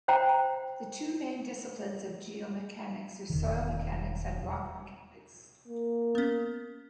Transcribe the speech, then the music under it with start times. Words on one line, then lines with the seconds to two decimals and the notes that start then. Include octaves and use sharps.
The two main disciplines of geomechanics are soil mechanics and rock mechanics.
0.08 C5 G5 A#5
3.30 E1 D#3
5.68 A#3
6.15 B3 C#4